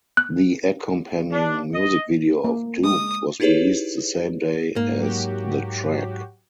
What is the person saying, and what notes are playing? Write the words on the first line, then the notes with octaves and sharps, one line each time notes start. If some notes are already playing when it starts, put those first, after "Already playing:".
The accompanying music video of "Doomed" was released the same day as the track.
F#6
D4
D#5
A#3
G#3 D#6
D#4 E4 G4 G#4 B4 C#5
G#2 A#3
F#3 F#4 G4